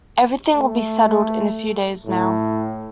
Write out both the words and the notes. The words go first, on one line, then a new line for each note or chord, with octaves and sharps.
Everything will be settled in a few days now.
A3
A2